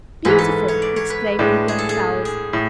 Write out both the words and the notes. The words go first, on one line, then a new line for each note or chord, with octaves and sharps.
"Beautiful!" exclaimed the young fowls.
G#2 E3 G#3 B4
A4
C#5
D5
C#5
B4
A2 G#3 D4
G#4
A4
G#4
G#4
A2